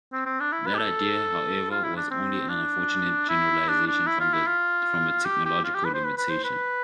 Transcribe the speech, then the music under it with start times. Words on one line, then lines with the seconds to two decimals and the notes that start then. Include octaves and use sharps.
That idea, however, was only an unfortunate generalization from a technological limitation.
0.13 C4
0.26 C4
0.40 D4
0.52 E4
0.66 B4
0.74 G4
0.78 A4
1.71 F4
1.84 E4
1.96 D4
2.11 C4
2.49 D4
3.29 E4
3.68 D4
3.87 D4
4.07 E4
4.20 F4
4.33 E4
4.47 F4
5.25 G4
5.45 G4
5.64 F4
5.75 G4
5.85 B4
5.94 C5
6.05 B4
6.17 B4
6.30 C5
6.44 B4